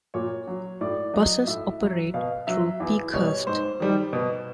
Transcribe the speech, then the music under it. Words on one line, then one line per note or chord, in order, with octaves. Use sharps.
Buses operate through Peakhurst.
A#2 C#5
F#3
A2 D5
F#3 D#5
A2 E5
F#3
B2 F5
F#3 E5
E2
B2 G3 C#5
G#2 C5
D#3 G3
B2